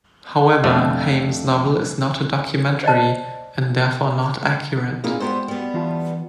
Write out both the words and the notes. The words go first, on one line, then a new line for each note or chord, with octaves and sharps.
However, Heym's novel is not a documentary and therefore not accurate.
F2 D3 A3
C5 D5 D#5 A5
A#2 A#3 C4 D#4 E4 G#4
G3 G#3 B3 F#4 C5 A#5
G3 B3
E3 F4 A5